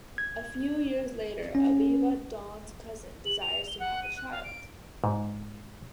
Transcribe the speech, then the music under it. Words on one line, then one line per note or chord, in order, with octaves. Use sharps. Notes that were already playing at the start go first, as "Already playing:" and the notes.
A few years later, Aviva, Dawn's cousin, desires to have a child.
G#6
C#4
F#7
F7
G7
F#5
D#7
F#6
F5
D7
G#2